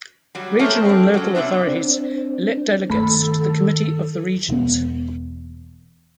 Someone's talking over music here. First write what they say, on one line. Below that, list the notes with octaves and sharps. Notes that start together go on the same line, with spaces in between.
Regional and local authorities elect delegates to the Committee of the Regions.
F#3 G3
F#3 G#3 A3 A#4 C5 C#5
C4 D4
F#3 C#4
C3 F3 B3 D4 E5
C4 D4
G2 D#3 A3 A4 B5
E1 B3